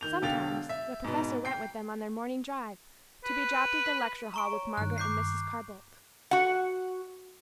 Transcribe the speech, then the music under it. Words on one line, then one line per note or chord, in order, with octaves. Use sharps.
Sometimes the professor went with them on their morning drive, to be dropped at the lecture-hall with Margaret and Mrs. Carr-Bolt.
D#3 G6 F7
E1 D3 F5 G5 A6 F7
E5
G#2 B2
G5 C7
B4
A#5 C#6 D7
C#5
G2 D#3 F#6
D6 G6 C7
F#4 F#5